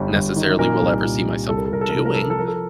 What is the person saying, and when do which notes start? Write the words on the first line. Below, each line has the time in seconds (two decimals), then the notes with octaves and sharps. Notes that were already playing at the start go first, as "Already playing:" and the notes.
necessarily will ever see myself doing,
Already playing: G1 G3
0.14 G1
0.36 D#3
0.59 A#2 A#4
0.81 C2
1.03 A#2
1.26 C2
1.49 C2 A4
1.57 A#4
1.65 A4
1.71 C2 A#4
1.81 A4
1.89 A#4
1.94 C3 A4
2.05 A#4
2.14 F3 A4
2.22 A#4
2.30 A4
2.39 F3 A#4
2.47 A4